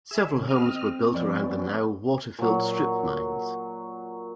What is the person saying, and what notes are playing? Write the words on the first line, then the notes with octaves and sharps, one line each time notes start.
Several homes were built around the now water-filled strip mines.
G#4 E5
C3 D#3 C#4
C4 D#5 F6
F3 B3 C#4 D5 D#5
A#2 F#3